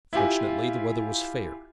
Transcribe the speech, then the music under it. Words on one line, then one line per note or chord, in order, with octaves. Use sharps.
Fortunately the weather was fair.
E4 F4 G4 G#5